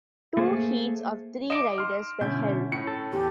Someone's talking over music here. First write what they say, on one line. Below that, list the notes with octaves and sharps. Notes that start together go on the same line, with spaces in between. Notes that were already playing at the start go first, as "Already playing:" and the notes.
Two heats of three riders were held.
A3 A#3 G#4 C5
D#5 D6 D7 E7
C6 F6
B2 D3 C#4 E4 G6
A2 C#7
A4
E2 G4